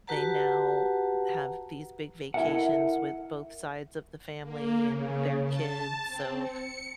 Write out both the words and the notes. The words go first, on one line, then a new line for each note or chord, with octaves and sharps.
they now have these big vacations with both sides of the family and their kids, so,
F#4 G4 B4 F#5 A5 A#5
E4 A4 A#4 E5 F#5
A#3
C#3
A5
C4
C#7